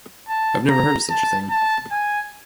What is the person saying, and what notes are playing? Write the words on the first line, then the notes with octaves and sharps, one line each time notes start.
I've never heard of such a thing.
A5
A#5
A5
A5
G#5